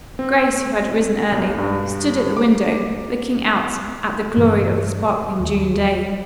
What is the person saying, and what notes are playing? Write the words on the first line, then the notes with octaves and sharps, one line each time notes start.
Grace, who had risen early, stood at the window, looking out at the glory of the sparkling June day.
C4
B1
G2
D6
G2 B2 E3
D#2